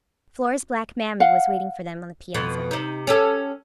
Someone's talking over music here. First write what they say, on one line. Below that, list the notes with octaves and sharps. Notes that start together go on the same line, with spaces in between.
Flora's black "Mammy" was waiting for them on the piazza.
F5 F#5
F2 B2
C3 D#4
C#4 G4 A4